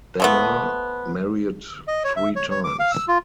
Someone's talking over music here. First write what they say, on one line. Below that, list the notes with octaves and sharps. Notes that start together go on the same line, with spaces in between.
Ballard married three times.
F3 A3 B3
D#5
C#5
E5
C#5
C#5
D6
F5
E6
F4